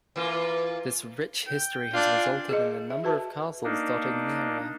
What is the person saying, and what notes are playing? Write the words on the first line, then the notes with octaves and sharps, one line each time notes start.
This rich history has resulted in a number of castles dotting the area.
E3 A#3 F4
G5
D4 F4
G#5
G#4 D#5
E5
F#4 B4 A5
A#3 D4 D#4